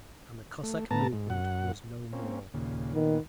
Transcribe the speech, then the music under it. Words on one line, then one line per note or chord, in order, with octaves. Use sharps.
And the Cossack movement was no more....
A3
A2 B3 A5 A#5
G#2
F#2 F#5
A#3 C4 C#4
D#2 A#2 C#3
A#2 D#3 B3